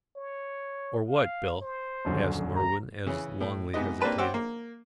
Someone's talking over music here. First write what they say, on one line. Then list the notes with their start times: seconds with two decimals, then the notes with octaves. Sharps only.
"Or what, Bill?" asked Merwin, as Longley hesitated.
0.16 C#5
1.08 F5
1.61 C5
2.05 D#1 F#2 D3
2.56 A#5
3.06 C#3 E3 C#4
3.41 A2
3.74 G#2 C3 B3 D#5
4.01 A#3 C4 D4 G4 B4 A5
4.18 C5 C#5 F#5 G5 D6 E6
4.34 A#3